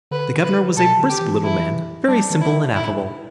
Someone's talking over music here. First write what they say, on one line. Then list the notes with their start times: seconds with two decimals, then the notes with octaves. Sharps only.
The governor was a brisk little man, very simple and affable.
0.11 D3 B4
0.44 B4
0.77 B2 A4
0.99 D3
1.10 G4
1.21 E3
1.43 E4
2.08 G3 D4
2.30 E3
2.41 E4
2.52 D3
2.75 A2 E4
2.90 G2